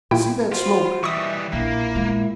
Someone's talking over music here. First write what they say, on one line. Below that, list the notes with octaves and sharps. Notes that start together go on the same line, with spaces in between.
See that smoke?
A#2 E4 G5
F4 F#4 C5
E3 G3 D#5 E5 C#6 D#6
A#1 A#2 A#3 E4
G#3